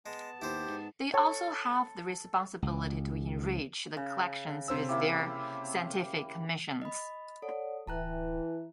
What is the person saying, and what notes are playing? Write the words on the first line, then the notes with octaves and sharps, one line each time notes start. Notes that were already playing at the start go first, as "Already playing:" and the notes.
They also have the responsibility to enrich the collections with their scientific missions.
G#3 B3 A5
D#2 E4 G4 C5
G#2
A4 C#5
C#2
C#3
C3 C5 E6
A#3 E4 G4
D#5 B5
A4 C#5 D5 F#5
D1 E3 G5 A5 A#5 F#6